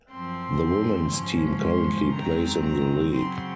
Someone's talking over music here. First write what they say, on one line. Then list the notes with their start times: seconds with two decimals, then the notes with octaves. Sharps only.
The Womens team currently plays in the league.
0.11 F#2 F3 C4 C6
1.11 G#2 F3 G#3 C#4
1.63 C6
2.12 F#2 D#3 G#3 C4 A#5
2.62 A#5
3.13 C#3 F#3 C4 C6